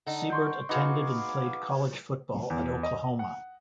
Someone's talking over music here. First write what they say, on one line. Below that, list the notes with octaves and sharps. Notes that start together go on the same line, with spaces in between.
Seibert attended and played college football at Oklahoma.
D3 D#4 F#5
G5 C6 C#6
B3 D#4 F#4 G#4 F5 D6
E2
D#5
F#5